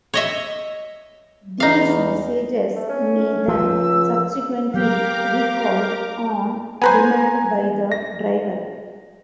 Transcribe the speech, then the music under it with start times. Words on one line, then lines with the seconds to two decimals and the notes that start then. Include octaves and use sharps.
These messages may then subsequently recalled on demand by the driver.
0.14 C#5 D#5 E5
1.60 E2 D#4 F5
2.76 A3
2.89 C#4
3.48 C#2 F3 E6
4.74 F#3 A#3 G4 A#4 F5 A#5 D6
6.82 B3 B4 C5 G#5 A#5
7.92 A#6